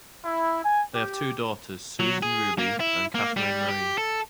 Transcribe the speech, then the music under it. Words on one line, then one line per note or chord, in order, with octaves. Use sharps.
They have two daughters, Susan Ruby and Katherine Marie.
E4
G#5
G4
F#3
G#4
A#3
E4
A#3
G3
G4
A4